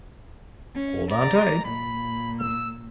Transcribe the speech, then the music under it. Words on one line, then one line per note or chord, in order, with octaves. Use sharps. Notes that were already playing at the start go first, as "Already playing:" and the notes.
Hold on tight!
C#4
D5 A#5
A#2 B5
E6